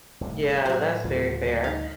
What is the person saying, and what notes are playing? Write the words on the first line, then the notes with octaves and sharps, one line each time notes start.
Yeah, that's very fair.
F1 C2 A2 C3
F#3 A#3 F#4 G#4 C5 E5
D2 C#3 G3 F4 A4
D#4 D#5 F5